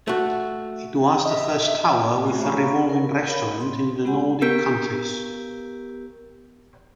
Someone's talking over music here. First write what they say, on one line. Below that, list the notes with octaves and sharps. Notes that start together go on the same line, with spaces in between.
It was the first tower with a revolving restaurant in the Nordic countries.
A3 F#4
D#5 E5
A3 F4 F#4 E5 G#5
C5 C#5 F5 A#5 B5 C#6
A#4
A#4 C#5 F5 B5
C6
G#3 B3 C4 G4 F#5 G#5
B3 G4 A#4 G6 B6 D7